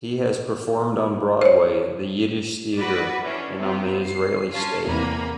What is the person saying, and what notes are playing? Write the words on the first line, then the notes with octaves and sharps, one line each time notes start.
He has performed on Broadway, the Yiddish theater, and on the Israeli stage.
C5 C#5
F#4 B4 D5
E3 C#4 D4
C3 B3 C4 F4
C7
C#4 F4 A5 C7
E2 C3 A#3 G#5 A#5 B5